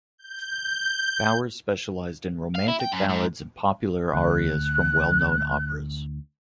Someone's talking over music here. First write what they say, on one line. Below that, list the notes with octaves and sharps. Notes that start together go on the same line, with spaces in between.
Bowers specialised in "romantic ballads and popular arias from well-known operas".
G6
F5
E4
G5
F#2
G#2
D2 F#6